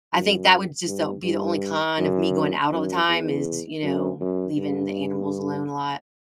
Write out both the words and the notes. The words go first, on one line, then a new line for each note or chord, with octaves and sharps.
I think that would just o be the only con of me going out all the time is, you know, leaving the animals alone a lot.
F#2
G2
G2
F#2
F#2
E2
F#2
F#2
G2